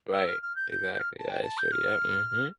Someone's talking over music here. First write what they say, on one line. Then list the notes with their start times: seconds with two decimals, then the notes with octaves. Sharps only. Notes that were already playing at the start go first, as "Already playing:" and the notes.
Right, exactly, yeah, it's true, yeah, mhm.
0.12 E6
0.28 F6
0.42 F6
0.56 G6
0.71 G6
0.94 G6
0.99 F6
1.19 A5
1.29 G5
1.43 A5
1.58 G6
1.72 F6